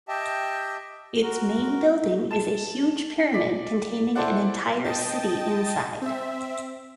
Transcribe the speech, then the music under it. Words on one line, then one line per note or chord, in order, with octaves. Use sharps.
Its main building is a huge pyramid containing an entire city inside.
G4 D#5 E5 G5 A5
F#4 A#4
A5 E7
D5 B6
E4 A4 C5 D5 F#5
D#5 G5 A5 A6
C4 E5